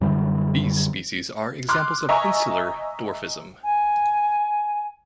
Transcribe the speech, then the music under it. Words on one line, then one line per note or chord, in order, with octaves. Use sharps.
These species are examples of insular dwarfism.
F#2 D3 E3 G3
C6 D6 F6 F#6
D#5 E5 G#5 A#5 C#6
G#5